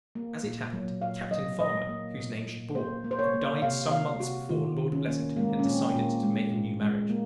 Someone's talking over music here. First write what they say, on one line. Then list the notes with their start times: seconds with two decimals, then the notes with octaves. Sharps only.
As it happened, Captain Farmer, whose name she bore, had died some months before Lord Blessington had decided to make a new marriage.
0.15 A#3
0.44 A#2
0.73 F#3
1.02 A#2 F5
1.31 F#3 D#5
1.60 A#2 D#5
1.89 A#3
2.17 A#2
2.47 A#2
2.75 A#3 C5
3.04 A#3
3.11 C5
3.19 C#5
3.34 A#3
3.62 C3 F5
3.91 C3 F5
4.20 C3 F#4
4.49 D#3 F4
4.78 D#3
4.93 C#4
5.07 A#3
5.36 G#3 A#3
5.59 C#4
5.65 A#2 C4
5.93 A#2 A#3
6.23 G#3
6.52 A#2
6.81 G#3
7.09 A#3